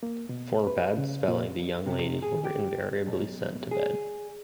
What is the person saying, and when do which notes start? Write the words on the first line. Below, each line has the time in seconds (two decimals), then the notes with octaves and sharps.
For bad spelling the young ladies were invariably sent to bed.
0.03 A#3
0.29 B2
0.67 B4
0.97 C#3
1.28 A#2
1.86 C3
2.22 G#4
2.45 G4
3.07 B1
3.71 G#4